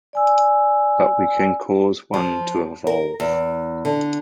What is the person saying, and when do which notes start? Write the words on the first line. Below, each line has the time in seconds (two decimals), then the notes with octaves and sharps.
But we can cause one to evolve.
0.13 D5 G#5 E6
2.14 F3
2.87 A#4
3.20 E2
3.85 D3